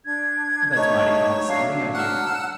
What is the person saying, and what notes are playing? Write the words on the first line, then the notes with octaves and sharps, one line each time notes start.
"That's mighty condescending of you!"
D4 G#6
A3 D#4 C#5
F#3 D4 E5 F5
F#5 E6 F6